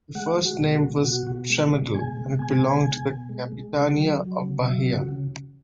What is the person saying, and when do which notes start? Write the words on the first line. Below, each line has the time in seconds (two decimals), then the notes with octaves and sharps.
The first name was Tremedal and it belonged to the capitania of Bahia.
0.15 G#3 F#5
0.37 G#3
0.45 F#4
0.60 B2
0.74 F#4
0.82 B2
1.05 B2 F#4
1.27 B2
1.50 G#3
1.72 G#3
1.94 B2 G#5
2.17 B2
2.39 G#3 G#5
2.62 B2
2.84 B2
3.07 B2
3.29 G#3
3.52 G#3
3.74 C#3
3.97 F#3
4.20 F#3
4.42 C#3
4.64 F#3 E5
4.87 C#3
4.94 F#4
5.09 C#3